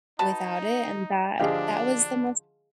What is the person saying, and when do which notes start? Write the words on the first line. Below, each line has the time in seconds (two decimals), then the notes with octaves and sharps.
without it, and that that was the most
0.19 D#4 F#4 B4 A5
1.40 D3 F3 D4 G4 G#4 D#5 F5